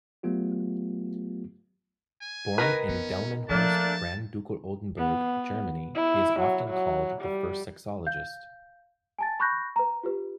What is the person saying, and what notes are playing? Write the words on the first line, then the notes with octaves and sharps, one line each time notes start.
Born in Delmenhorst, Grand Ducal Oldenburg, Germany, he is often called the first sexologist.
F#3 A3 B3 F4 G4
G#5
D#3 A#4 B4
B3 C#4
F3 A3 A#3 D4 A5
B3
E4
F#3
F#3
G3
F5 G6
G#5 A5 A6
B5 C#6 F#6 G6 A#6
B4 A#5
F4 G4 B4